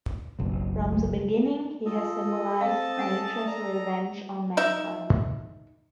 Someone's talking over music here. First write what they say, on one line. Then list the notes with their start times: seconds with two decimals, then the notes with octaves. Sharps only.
From the beginning he has symbolized nature's revenge on mankind.
0.39 F#1 B1
1.86 F4 A4 D#5
2.61 C4 F5 A5
2.97 C#4 F#5 G#5
3.48 D5 A#5
4.57 D#4 E5